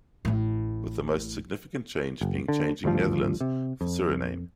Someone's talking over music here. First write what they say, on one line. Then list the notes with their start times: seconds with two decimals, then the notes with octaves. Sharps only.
With the most significant change being changing Netherlands for Suriname.
0.25 A1 A2
2.21 F#1
2.48 D3
2.84 G#1 D2 G2 F3
3.41 C3
3.81 F2